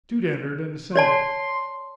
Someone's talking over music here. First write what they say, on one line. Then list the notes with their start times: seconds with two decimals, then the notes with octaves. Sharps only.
Jude entered and ascended.
0.96 C#5 D5 A5 C6